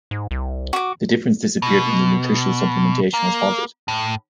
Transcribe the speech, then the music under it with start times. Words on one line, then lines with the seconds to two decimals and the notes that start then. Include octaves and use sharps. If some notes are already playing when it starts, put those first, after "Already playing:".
The difference disappeared when the nutritional supplementation was halted.
0.11 G#2
0.31 C2
0.73 F#4 D6
1.62 B2
3.14 A#3
3.88 A2